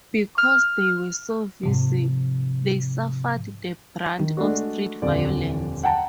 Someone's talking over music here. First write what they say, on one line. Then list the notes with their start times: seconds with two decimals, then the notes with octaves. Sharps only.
Because they were so visible, they suffered the brunt of street violence.
0.38 F6
1.64 G#2 C3 F3
4.20 D#3
4.37 G#3 A3 D4 F#4
5.02 D#1 F2 D3 D5
5.83 F#5 G5 A5 A#5